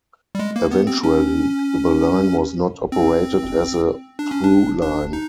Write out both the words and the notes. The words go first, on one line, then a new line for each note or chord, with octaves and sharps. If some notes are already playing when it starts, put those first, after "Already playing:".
Eventually, the line was not operated as a through line.
G3
G#3
A#3
B3
C4
C#4
C4
D4
C#4
D4
D4
D#4